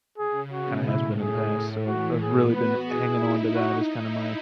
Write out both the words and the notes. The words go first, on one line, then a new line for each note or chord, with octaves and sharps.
kinda has been in the past, so, I've I've really been hanging on to that as kinda my
C#3 G#4
B2 F#4
A2 E4
G#4
A2
E3 F#4
B3 G#4
F#4 B4
E4 G#4
D#4
D#4 F#4
E4